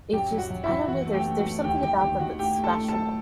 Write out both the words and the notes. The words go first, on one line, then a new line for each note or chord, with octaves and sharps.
It just I don't know. There's there's something about that that's special.
F#2 G4 G5
F#2
F#4 F#5
F#2
E4 E5
F#2
E3 F#4 F#5
A3
G4 G5
A3
F#4 F#5
A3
D#2 G4 G5
D#3 G4 G5
D#2 G4 G5
D#3 F#4 F#5
A2 G4 G5
A3
A4 A5
A2
A4 A5
F#3